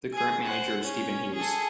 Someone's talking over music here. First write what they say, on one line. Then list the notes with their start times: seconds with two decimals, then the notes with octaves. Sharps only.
The current manager is Stephen Hughes.
0.12 G#4 G#5
0.46 C5 F#5
0.83 C#4
1.34 G#4 A4